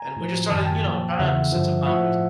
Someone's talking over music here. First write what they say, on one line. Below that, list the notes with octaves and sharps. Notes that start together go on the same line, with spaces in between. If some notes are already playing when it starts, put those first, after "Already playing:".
And we're just starting, you know, trying to set some boundaries.
Already playing: G#5 A#5
A2 F3
F#2 D#3 A5
G#5
G5 A5
A#2 F3
G5
E2 C#3 E3 E5 F#5
G2 D3 F3
A2 F3 E5 F#5